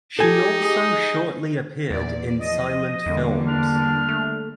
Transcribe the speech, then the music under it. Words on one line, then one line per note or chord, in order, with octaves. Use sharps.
She also shortly appeared in silent films.
D#4 G4 A4 G#5
G#4 D#5
E2 A#2 D5
F3 D#5
E2 D3 G3 A#3
D4 F6
A3